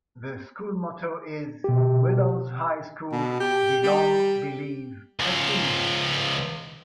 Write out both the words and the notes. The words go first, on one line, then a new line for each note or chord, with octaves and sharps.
The school motto is "Willows High School: Belong, Believe, Achieve".
B2 G4
B2
G4
G3
C#2 F3